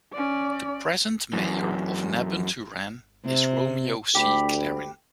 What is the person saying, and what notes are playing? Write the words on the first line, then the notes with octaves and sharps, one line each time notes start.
The present Mayor of Nabunturan is Romeo C. Clarin.
C#4 D5
F#2 E3
C3
D2 G4 B5